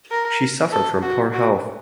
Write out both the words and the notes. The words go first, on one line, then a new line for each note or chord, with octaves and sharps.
She suffered from poor health.
A#4
A4
F#4
F#4